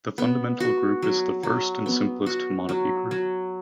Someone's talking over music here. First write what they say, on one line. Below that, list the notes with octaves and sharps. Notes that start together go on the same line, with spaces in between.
The fundamental group is the first and simplest homotopy group.
B3
F#4
F#3
F#3
B3
F#4
F#3
F#3